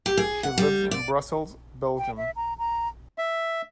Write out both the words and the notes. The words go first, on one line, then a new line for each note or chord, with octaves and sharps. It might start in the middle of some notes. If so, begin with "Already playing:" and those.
She lives in Brussels, Belgium.
G4
G#4
F#5
G3
D5
G5
E5
A#5
A#5
E5